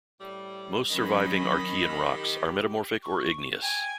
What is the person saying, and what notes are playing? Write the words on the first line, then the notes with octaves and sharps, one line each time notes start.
Most surviving Archean rocks are metamorphic or igneous.
A2 G3
D#3 F#3 C#4 D#5 B5
G4
C#6
G5 G#5